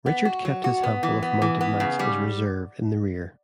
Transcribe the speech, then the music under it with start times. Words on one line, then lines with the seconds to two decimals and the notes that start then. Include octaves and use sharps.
Richard kept his handful of mounted knights as a reserve in the rear.
0.06 B3
0.25 F#4
0.45 F#3
0.64 F#4
0.83 B3
1.03 E3
1.22 B3
1.42 E3
1.61 B3
1.80 C#3
1.99 G3